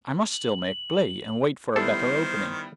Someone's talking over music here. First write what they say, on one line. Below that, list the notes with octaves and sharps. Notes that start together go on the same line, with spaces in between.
I must still make play and wait for a better opening.
F#7
D#3 G3 B3 E4 A4 C5 C7